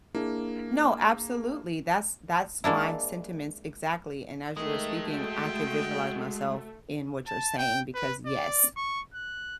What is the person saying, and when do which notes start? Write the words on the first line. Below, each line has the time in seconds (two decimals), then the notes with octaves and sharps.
No, absolutely. That's that's my sentiments exactly. And as you were speaking, I could visualize myself in what you're saying because, yes,
0.15 A#3 D4 E4 G#4
2.64 G#3 A#3 D4 E4
4.57 D#3 G#3 A3
5.10 F#4 G5
7.27 A5
7.58 G5
7.95 B4
8.27 D5
8.77 C#6
9.14 F#6